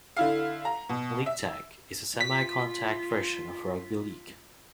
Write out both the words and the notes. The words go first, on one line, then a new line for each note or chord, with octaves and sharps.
League tag is a semi-contact version of rugby league.
D3 E4 F5
A#5
B2
E5
F4 B6